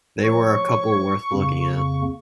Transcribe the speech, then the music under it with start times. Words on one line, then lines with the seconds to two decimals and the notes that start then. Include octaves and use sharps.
They were a couple worth looking at.
0.24 F3 C#5 C#6
1.33 F2 C#3 A#3